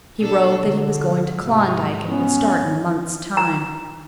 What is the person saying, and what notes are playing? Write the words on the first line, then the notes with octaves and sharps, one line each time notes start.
He wrote that he was going to Klondike and would start in a month's time.
B2 D4 A4
B2 D3
G#2 C3 D#4
B3 C#4
A#5